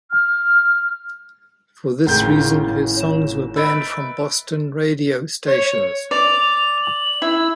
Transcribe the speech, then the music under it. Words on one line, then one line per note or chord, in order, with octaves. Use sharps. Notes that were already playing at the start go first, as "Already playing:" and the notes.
For this reason, her songs were banned from Boston radio stations.
F6
G#1 A2 C#3 C#4 F4 G5 A#5 G6
C#5 E7
D#4 A#4 B4 E5 E6 A6 D7
C#5
D5 F7
F#7
E4 E6